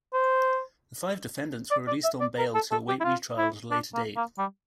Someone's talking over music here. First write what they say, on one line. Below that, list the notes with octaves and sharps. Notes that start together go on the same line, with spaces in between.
The five defendants were released on bail to await retrial at a later date.
C5
D5
D5
E5
D5
A#4
A4
A4
G4
E4
F4
E4
D4
A#3
A#3
G3